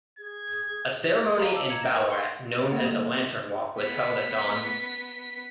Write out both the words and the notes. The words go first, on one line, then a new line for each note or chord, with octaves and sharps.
A ceremony in Ballarat known as the lantern walk was held at dawn.
G#4 G#6
D#5 F5 A#5 B5
A5 D6 E6
A#5 G#6 C#7
G5 A#6 E7
A#4 B4 C#6
F#5 B5 C6 C7
C#5
D3 A3 A#3 F#5
G3 D5
B3 B6